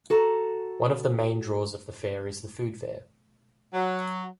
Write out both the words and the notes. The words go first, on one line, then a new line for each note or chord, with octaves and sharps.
One of the main draws of the fair is the food fair.
F#4 A4 A#5
F#3